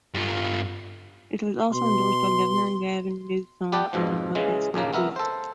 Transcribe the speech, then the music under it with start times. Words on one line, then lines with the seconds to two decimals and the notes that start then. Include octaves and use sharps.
It was also endorsed by governor Gavin Newsom and "The Modesto Bee".
0.15 G2 F4
1.71 B2 C6
3.72 B3 G4 B4 D5 G5 A5
3.93 F2 G#2 B2 F3
4.35 C#3 E3 G#3
4.74 A#1 D#2 C#3 A#3
4.93 C2 B3 A#4 E5
5.16 A4 C5